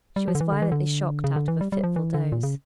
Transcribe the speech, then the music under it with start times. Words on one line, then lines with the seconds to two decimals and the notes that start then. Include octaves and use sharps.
She was violently shocked out of a fitful doze.
0.16 G3
0.28 F3
0.35 D3
0.40 E3
0.52 D3
0.62 E3
0.72 D3
1.24 C#3
1.36 D3
1.48 E3
1.61 G3
1.72 G3
1.84 F3
1.96 E3
2.14 D3
2.32 A#2
2.43 C#3